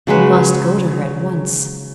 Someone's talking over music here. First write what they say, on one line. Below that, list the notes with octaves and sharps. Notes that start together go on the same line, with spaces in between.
He must go to her at once.
C#3 F#3 G#3 B4